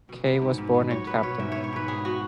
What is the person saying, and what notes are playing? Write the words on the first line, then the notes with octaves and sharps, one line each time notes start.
Kaye was born in Clapton.
B2
B3
G#2
G#2
B3
F#3 C#5
B3 B4
B2 C#5
G#2 E5
B3 C#5
C#5
G#2 B4
B3 G#4
B3 F#4